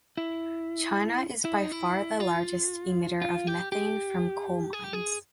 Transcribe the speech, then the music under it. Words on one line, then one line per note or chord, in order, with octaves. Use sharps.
China is by far the largest emitter of methane from coal mines.
E4
E4
D#4
E4
F4
F4
G4
G4
G#4
G4
G#4